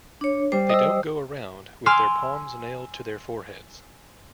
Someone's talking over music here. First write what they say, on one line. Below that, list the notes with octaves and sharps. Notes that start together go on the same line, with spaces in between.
They don't go around with their palms nailed to their foreheads.
D4 C#5
G3 C5
D#5 E6
G#5 C6 D6 E6 F6 C7